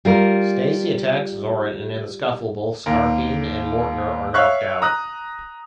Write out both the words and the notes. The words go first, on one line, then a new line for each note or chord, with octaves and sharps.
Stacey attacks Zorin and in the scuffle both Scarpine and Mortner are knocked out.
G3 F4 A#4
D#2 A#4
C#5 E5 F5 C#6 F6 F#6
A#5 D#6 F#6